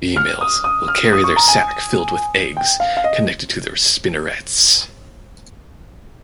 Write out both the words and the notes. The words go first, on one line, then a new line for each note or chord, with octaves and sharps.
Females will carry their sac filled with eggs connected to their spinnerets.
F6
D#6
D#6
F6
D#6
C#6
A#5
G#5
G5
F5
F5
D#5